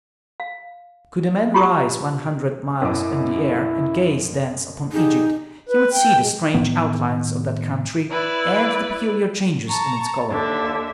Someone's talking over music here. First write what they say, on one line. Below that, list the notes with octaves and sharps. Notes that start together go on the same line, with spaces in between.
Could a man rise one hundred miles in the air and gaze thence upon Egypt, he would see the strange outlines of that country and the peculiar changes in its color.
F5
F4 G4 A#5 C#6 D#6
F#2 B2 E4 D6
D3 D#4 G4 G#4
B4
G5
G#3
A2 D#3 B3
E4 B4 D5
A5 A#5 C#6
D#2 D3 E5